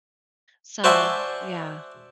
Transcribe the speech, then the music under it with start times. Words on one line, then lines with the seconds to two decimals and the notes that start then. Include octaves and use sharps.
So, yeah.
0.84 F#4 C5 D5 E5 G#5 A5